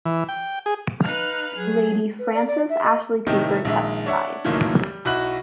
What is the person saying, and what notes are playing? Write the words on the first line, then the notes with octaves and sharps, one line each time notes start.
Lady Frances Ashley-Cooper testified.
E3
G5
G#4
D#4 B4 F5 F6 F#6
F#3 G#4
B4
D5
D5
E5
D#5
A2 C3 D#3 A3 D#5 G5
A#1 D#3 G#3 E5
D4 C#5 E5 F#5
C#2 F#2 A#2 D#3 E3 A3
G3
B1 E4 F#4 B5 F#6 F#7